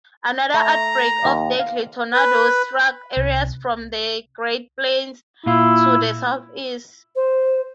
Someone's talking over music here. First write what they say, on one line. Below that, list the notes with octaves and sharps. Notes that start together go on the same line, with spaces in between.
Another outbreak of deadly tornadoes struck areas from the Great Plains to the Southeast.
A3 A#5
D#2
F5
B4
C2
A#2 E4 F4
C5